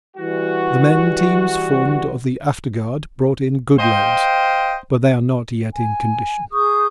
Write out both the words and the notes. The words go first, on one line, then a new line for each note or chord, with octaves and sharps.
The men teams formed of the after-guard brought in good loads, but they are not yet in condition.
E3 G3 F#4
C5 D#5 F5 G5
G#5
G#4 C#6 D#6 G6